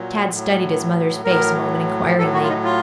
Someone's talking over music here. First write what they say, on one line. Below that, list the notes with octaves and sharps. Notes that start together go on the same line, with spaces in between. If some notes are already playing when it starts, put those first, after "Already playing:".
Tad studied his mother's face a moment inquiringly.
Already playing: A#2 F#3
A2 F#3
A2 F#3 A#4
A2 F#3 A4
F#4
F4
D#4
F4